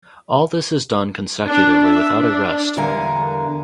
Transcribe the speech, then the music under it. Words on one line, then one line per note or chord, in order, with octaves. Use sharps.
All this is done consecutively without a rest.
D4
E5
D4
E2 D3 G3 A#4 F5 G#5